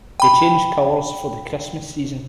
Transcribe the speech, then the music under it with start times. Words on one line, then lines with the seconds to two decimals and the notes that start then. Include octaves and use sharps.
They change colors for the Christmas season.
0.20 G5 B5